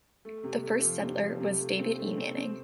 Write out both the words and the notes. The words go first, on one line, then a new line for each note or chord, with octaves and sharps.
The first settler was David E. Manning.
A3
C3
A3
F3
C3
F3
C3
A3
C4
A3
C4
C4